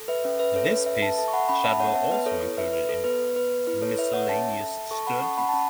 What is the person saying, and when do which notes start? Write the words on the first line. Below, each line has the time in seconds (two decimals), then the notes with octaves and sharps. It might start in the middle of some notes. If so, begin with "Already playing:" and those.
This piece Shadwell also included in "Miscellaneous Studies".
Already playing: A4
0.08 B4 E5
0.24 C#4 B4 E5
0.39 B4 E5
0.55 C#4 A4 C#5
0.71 B4
0.86 A4 B4 E5
1.02 E5 A5
1.18 A4 E5 A5
1.28 C#6
1.33 F#5 B5
1.49 C#4 F#5 B5
1.64 E5 A5
1.80 B3 C#5 F#5
1.95 E5 A5
2.11 B3 B4
2.26 A4 C#5
2.42 E4
2.57 B4 E5
2.73 A4 B4
2.89 A4
3.04 B3 B4
3.36 B3 B4
3.67 E4 B4
3.82 A4 C#5
3.98 A4 B4 E5
4.13 C#5 F#5
4.29 C#4 E5 A5
4.60 A4
4.91 A4 A5 C#6
5.06 F#5 B5
5.22 C#4 A5 C#6
5.37 F#5 B5
5.49 A5
5.53 C#4 F#5 B5